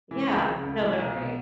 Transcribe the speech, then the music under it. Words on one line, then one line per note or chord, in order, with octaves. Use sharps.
Yeah. No, they're great.
E3
C#2
C#3
C#2
E3
B1
B2